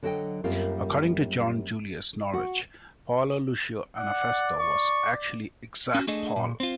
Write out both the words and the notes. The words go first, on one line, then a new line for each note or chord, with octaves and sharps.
According to John Julius Norwich, Paolo Lucio Anafesto was actually Exarch Paul.
D3 F#3 A4 D#5 G5
F#2 G3 A#3 C4 F4
F#4
D5 F#5
C#6
C#4 F#4
A3 D4 G#4 A4 D#5
A#2
C4 F4